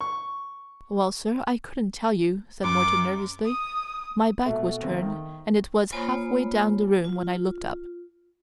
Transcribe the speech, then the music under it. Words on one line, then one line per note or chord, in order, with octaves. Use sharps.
"Well, sir, I couldn't tell you," said Morton nervously; "my back was turned, and it was halfway down the room when I looked up."
C#6
F#2 D6
D#6
B2 A3 A4 E5
G1 D#2 C4
D#3
A#3 F4 C5 C#5 G#5 B5
F4